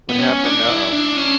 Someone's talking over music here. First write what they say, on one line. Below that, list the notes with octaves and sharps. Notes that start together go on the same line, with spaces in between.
What happened? Uh-oh.
B3
C#4
D4
E4
D4
C#4